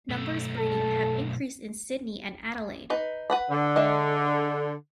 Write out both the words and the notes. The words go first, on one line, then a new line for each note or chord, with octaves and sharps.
Numbers breeding have increased in Sydney and Adelaide.
B1 A3
A4
D#4 B4
B4 F#5 B5
D3
G#3 D4 E5